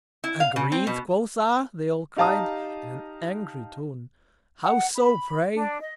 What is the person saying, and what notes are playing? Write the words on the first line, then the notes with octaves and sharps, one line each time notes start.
Agreed, quotha! they all cried, in an angry Tone, How so, pray?
E4
F5
C#3
C4
B2
D#4 G4 F5 A5 A#5 D#6
F#5
B5
D4
D#5